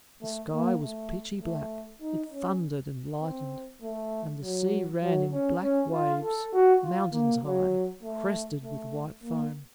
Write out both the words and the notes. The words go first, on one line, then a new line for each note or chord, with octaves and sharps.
The sky was pitchy black; it thundered and lightened, and the sea ran in black waves, mountains high, crested with white foam.
A3
A#3
A3
A3
D#4
C#4
C4
A3
F#3
F#3
C#4
C#4
F4
A4
F#4
F4
A#3
F#3
A3
A3
A#3